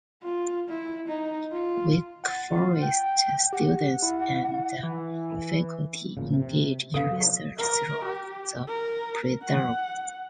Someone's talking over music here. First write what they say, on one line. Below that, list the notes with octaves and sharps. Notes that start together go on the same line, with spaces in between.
Wake Forest students and faculty engage in research throughout the preserve.
F4
E4
D#4
F4
F#5 A6
F4
G5
G4 F#5
E4
E3
A1 A#2 C#3
C3
C3 B3 A4 F5
F#3
A#4
G4
A#4
F#5